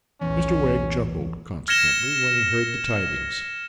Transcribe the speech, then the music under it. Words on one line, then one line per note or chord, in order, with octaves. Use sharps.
Mr Wegg chuckled, consequently, when he heard the tidings.
B1 E2 A2 C#4
F6 G#6 A#6 C#7 E7 G7